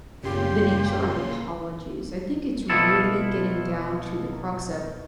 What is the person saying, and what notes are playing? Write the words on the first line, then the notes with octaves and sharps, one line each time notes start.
m the nature of apologies, I think it's really getting down to the crux of
F#1 A#2 C#3 G4 C6
B2 F3 E4 A4